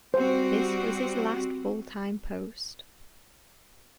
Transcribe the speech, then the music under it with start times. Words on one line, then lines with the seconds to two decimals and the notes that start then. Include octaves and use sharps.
This was his last full-time post.
0.14 G3 C4 F#4 C5